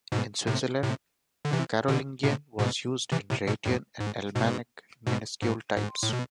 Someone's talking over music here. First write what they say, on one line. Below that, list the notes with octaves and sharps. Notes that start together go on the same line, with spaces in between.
In Switzerland, Carolingian was used in the Rhaetian and Alemannic minuscule types.
G#2 B2
A2 C3
A2 C3
D3
C3 E3
B2 D3
A2 C3
G#2 B2
C3 E3
A2 C3
G#2 B2
F2 A2
G#2
G#2 B2
G#2 B2
G#2
G#2
A2
B2